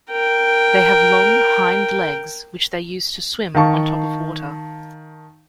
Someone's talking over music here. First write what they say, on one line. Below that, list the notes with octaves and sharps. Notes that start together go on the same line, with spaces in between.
They have long hind legs which they use to swim on top of water.
A#4 G5
D#3 F5 A5 C#6